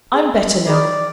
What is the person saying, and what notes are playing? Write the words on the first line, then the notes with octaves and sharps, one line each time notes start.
I am better now.
G#4
G#4 D5 B5